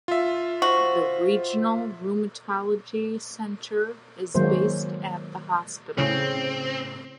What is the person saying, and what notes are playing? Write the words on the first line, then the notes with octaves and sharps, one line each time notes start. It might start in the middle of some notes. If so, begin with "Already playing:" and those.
The Regional Rheumatology Centre is based at the hospital.
F4 E5
F#4 C5
D#3 F#3 G#3 A#3 C5
A2 C#3 C4 C#4